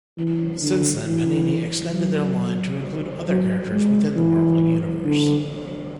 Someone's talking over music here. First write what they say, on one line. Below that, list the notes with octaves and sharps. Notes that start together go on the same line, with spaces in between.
Since then Panini extended their line to include other characters within the Marvel Universe.
E3
D3
E3
F#3
F#3
G#3
E3
D3